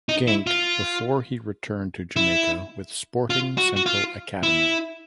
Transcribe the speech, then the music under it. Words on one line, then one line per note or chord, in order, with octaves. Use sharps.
Genk before he returned to Jamaica with Sporting Central Academy.
D#4
E4
F4
E4
F4
F#4
F#4
F4
E4